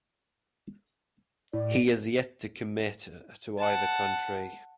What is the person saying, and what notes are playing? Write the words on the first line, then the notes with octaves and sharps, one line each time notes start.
He is yet to commit to either country.
A2 D5
F#5 A5